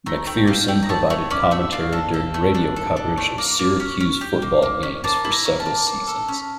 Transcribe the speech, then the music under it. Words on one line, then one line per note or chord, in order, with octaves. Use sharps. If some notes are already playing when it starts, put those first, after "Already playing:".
MacPherson provided commentary during radio coverage of Syracuse football games for several seasons.
A3 A#5
A3 G5
G4 F5
A3 G5
A#5
A3 A5
A3 C#5
C#4 D5
A3 E5
D4 F5
A4
A4
A3
D4
A4
D4
A3
A#3
A#3
C#4
C#4
G4
A#3
A#3
C#4
A#3 A5
E4
A#5
C#4
A5
A#3
A#3
A4
C#4